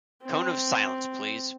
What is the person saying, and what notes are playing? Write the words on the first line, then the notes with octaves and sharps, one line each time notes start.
Cone of silence, please.
C4